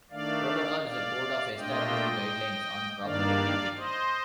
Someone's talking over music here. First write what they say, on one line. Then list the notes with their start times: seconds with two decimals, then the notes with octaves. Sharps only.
Protocol is a code of established guidelines on proper etiquette.
0.11 D#3 A3 D4 D5 F5
0.83 D5 F5
1.57 A#2 A3 D4 F4 D#5 G5
3.03 G2 D#3 A#3 D4 D5 F5
3.76 C5 D#5